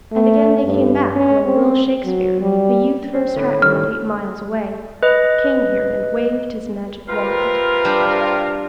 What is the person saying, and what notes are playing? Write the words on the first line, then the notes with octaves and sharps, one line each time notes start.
And again they came back when Will Shakespeare, a youth from Stratford, eight miles away, came here and waved his magic wand.
A3
G2
C#4
C4
F#3
G3
C4
A2 D3 B4
D#3 G3 C#4 F6
B4 D#5
C3 F4 A#4 B4
G3 D4